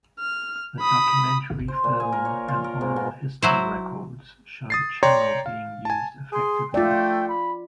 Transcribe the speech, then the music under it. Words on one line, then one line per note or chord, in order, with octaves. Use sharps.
The documentary film and oral history records show the channel being used effectively.
F6
B5 D#6
C5
A#2
G#5
A#4
C#5
F4
A#4
G#2
B2
F#3 E4 C5
D#6 A6 C7
C#5 D5 G5 A#5 C6
F5
G#5 A5
G#4 C6
A3 F4 D5 G5
B5